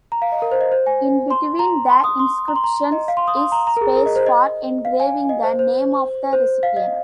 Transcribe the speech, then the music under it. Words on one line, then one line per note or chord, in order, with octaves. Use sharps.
In between the inscriptions is space for engraving the name of the recipient.
A#5
F5
D#5
A#4
C5
D#5
C5
G#5
C6
A#5
C6
D#6
C6
A#5
C6
A#5
D#5
F5
C6
D#6
C6
A#5
A#5
A#4
G#4
A#4
D#5
C5
D#5
F5
G#5
D#5
C5
C5
C5
F5
D#5